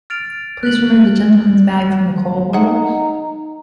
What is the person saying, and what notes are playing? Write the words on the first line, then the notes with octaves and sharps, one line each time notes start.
Please remove the gentleman's bag from the coal hole.
F6 A6 D7 F7
F#6 F#7
G#3 D#4 F#5 A#5